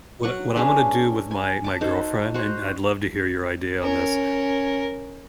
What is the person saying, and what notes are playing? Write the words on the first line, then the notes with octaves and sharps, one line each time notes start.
What I what I'm wanna do with my my girlfriend and I'd love to hear your idea on this.
F#3 F#5 C#6
C#4 D4 G#4 B4
G#5
A5 D6
D#4 F#4 A4 C5
F#4 C5 A#5
C#4 A#4